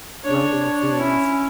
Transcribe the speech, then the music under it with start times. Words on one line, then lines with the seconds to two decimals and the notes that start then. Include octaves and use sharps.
learning things.
0.24 D4 C#5
0.62 C#5
0.99 C#4 E4